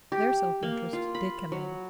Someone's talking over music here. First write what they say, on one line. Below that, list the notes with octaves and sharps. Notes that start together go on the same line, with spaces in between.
There self-interest did come in.
G4
A#3
F4
B5
F#3